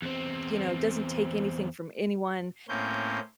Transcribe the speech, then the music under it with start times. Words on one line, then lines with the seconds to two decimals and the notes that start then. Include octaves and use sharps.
you know, doesn't take anything from anyone,
0.02 E2 C4
2.68 A2 A#3 C4 C#4 G6